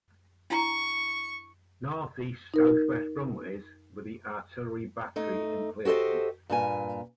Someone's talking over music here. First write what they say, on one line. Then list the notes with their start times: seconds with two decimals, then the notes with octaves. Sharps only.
Northeast-southwest runways, were the artillery battery emplacements.
0.50 D4 E4 A#5 C#6
2.54 D#4 A#4
5.16 A3 D#4
5.85 F#4 G4 A4 C5 D#5
6.50 G2 A#2 G#5